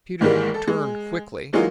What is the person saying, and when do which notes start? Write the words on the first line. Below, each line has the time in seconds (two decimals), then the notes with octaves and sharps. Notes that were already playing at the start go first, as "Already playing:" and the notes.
Peter turned quickly.
0.21 G#2 D#3 E3 G3 G#3 A#3
0.54 A4
0.68 G#3
1.53 E3 F#3 G#3 A#3 D#4 F4